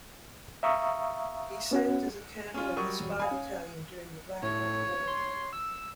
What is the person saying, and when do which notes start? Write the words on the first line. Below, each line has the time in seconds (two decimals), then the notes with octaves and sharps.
He served as a Colonel of the "Spy Battalion" during the Black Hawk War.
0.63 E5 F5 A#5 C#6 D#6 E6
1.71 B3 C#4 F#4 F#5
2.54 C#4 F4
2.76 F#3 G3 A#4 C#6 D#6 D#7
2.99 E1 F#2
3.19 F5 G#5 B5 D#6
3.31 C#4
4.43 A2 C#5
5.07 C6
5.53 E6